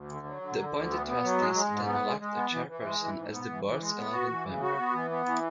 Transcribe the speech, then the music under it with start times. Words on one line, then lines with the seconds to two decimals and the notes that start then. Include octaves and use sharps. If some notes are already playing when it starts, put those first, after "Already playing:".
The appointed trustees then elect a chairperson as the Board's eleventh member.
Already playing: D2
0.10 D3
0.26 F#3
0.42 D3
0.59 D3
0.74 D2
0.91 B3
1.07 B3
1.23 F#3
1.38 G#3
1.55 G#3
1.71 G#2
1.87 B3
2.03 G#3
2.20 G#3
2.36 B3
2.52 E3
2.68 E3
2.84 G#3
3.00 E3
3.17 G#2
3.33 B3
3.49 E3
3.65 E3
3.80 G#3
3.97 B3
4.13 F#4
4.30 E3
4.46 C#3
4.62 F#4
4.79 B3
4.94 E3
5.10 B3
5.26 E3